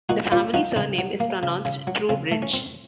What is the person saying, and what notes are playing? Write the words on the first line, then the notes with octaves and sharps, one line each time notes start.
The family surname is pronounced "Troobridge".
A#2 D#4 F#4
A#2 C#4 F4
F3 D#4 F#4
C#3 C4 D#4
F#3
A#3
C#3
C#3
F#3
C#3 C4
A3
C#4
C4